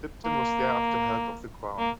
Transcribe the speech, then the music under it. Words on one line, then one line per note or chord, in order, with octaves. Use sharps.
Dibden was thereafter held of the Crown.
A#3
A#3